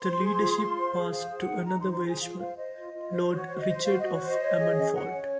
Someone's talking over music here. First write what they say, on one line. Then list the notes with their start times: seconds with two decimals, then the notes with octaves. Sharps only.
The leadership passed to another Welshman, Lord Richard of Ammanford.
0.01 C5 C6
0.20 G#4
0.38 F4
0.56 F4
0.74 C5
0.93 G#4
1.11 C5 F5
1.29 G#4
1.38 F#5
1.48 D#4
1.66 D#4 A#5
1.80 C5 C6
1.93 C6
2.02 G#4 G#5
2.20 F4 F5
2.39 C5 F5
2.57 C5 D#5
2.76 F4
2.94 F4
3.12 C5
3.30 F#4 C#5
3.48 C5
3.57 D#5
3.67 C5
3.84 F#4 F5
3.99 F#4 D#5
4.12 C#5
4.21 C5 D#5
4.40 C#5
4.58 G#4
4.76 C#4
4.95 C#4 F#5
5.12 C#5